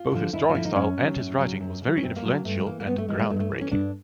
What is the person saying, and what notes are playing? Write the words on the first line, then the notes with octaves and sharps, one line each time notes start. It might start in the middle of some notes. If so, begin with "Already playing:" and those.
Both his drawing style and his writing was very influential and groundbreaking.
Already playing: F4
D3 F3
D#2 E4
D#4
F4
D3 F3 E4
D#4
F#2 C#4
C#3 F#3
F#2
C#3 F#3
F#2
C#3 F#3
C#4
F#2 C4
A#3
C#3 F#3
A#3
G2 A3
A3
E3 A#3
A#3
G2 B3
A3
E3 G#3
G#3
G2 A3
G#3
A3
E3
C#4
G2 D4